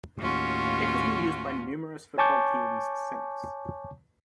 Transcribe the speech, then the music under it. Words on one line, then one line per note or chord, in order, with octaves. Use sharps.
It has been used by numerous football teams since.
D#2 A2 C#4 F4 F#4
C#5 G#5 A5 C#6 D6 G6